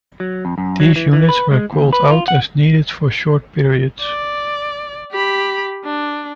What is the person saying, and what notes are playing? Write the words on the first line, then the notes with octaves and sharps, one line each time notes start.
These units were called out as needed for short periods.
F#3
F2
F#2
F#3
E3
E3
B4
G#3
D#2
B4
F4
F#5
D5
G4 B5
D4